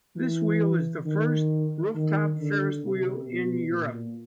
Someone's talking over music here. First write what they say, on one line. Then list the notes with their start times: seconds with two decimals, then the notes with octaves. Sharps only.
This wheel is the first rooftop Ferris wheel in Europe.
0.17 E3
1.06 D#3
1.95 D#3
2.38 D3
2.84 C3
3.28 B2
3.71 A#2